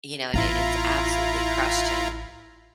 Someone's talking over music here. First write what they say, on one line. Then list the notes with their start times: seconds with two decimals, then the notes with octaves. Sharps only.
You know, and it it's absolutely crushed him
0.34 A1 B3 E4 F4 A#5